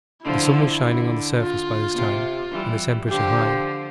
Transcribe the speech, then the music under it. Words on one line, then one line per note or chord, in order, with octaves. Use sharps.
The sun was shining on the surface by this time, and the temperature high.
D3 F3 E4
D3
F4
C3
E3 G3
D3 F3 G4